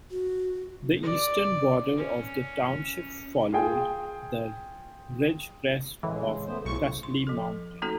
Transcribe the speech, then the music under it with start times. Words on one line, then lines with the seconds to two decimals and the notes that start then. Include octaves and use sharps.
The eastern border of the township follows the ridgecrest of Tussey Mountain.
0.11 F#4
1.03 D5
1.96 C#4
3.52 F4 G#4 G5
6.03 A2 C#3 E3 G#3
6.47 A3 B3 C5
6.65 B1 A2 C#3 C#6
7.03 C6
7.27 F3 A4
7.82 A3 A#3 C#4 D#4 F#4 A4